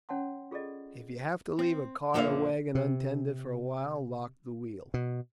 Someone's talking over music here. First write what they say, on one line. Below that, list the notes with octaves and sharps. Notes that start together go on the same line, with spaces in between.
If you have to leave a cart or wagon untended for a while, lock the wheel.
C#4 C#5 F#5 G5 A5 C6
F4 G#4 A4 D5 D#5
C4
F2 A#2 D3 A#3 E5 F5
C3
B2